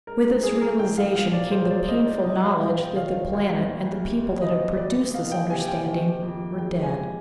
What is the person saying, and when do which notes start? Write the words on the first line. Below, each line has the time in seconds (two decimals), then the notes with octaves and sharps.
With this realization came the painful knowledge that the planet and the people that had produced this understanding were dead.
0.07 G#3 A#4
0.43 C2 G#4
0.61 A#4
0.79 C2 G5
0.98 F5
1.15 A#2 F5
1.33 D5
1.51 G#3 C5
1.65 C5
1.70 D5
1.88 C2 D#5
2.06 D5
2.24 C2 D#5
2.43 F5
2.60 A#2 G5
2.79 G5
2.96 D#3 F5
3.33 D2
3.68 A#3
4.05 C3
4.41 D#3 D#5
4.77 D2 D5
5.14 A#3 F5
5.32 G5
5.50 C3 G#5
5.68 G5
5.86 D#3
6.22 F2
6.58 G#3 G5
6.83 G#5
6.95 C3